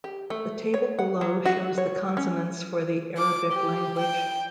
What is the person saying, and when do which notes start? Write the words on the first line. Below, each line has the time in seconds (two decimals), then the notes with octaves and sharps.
The table below shows the consonants for the Arabic language.
0.04 G4
0.30 A3
0.74 C#5
0.99 F#5
1.21 F#3
1.46 F#4
1.78 C#5
2.17 C#4
3.18 D6
3.52 G4
3.99 G5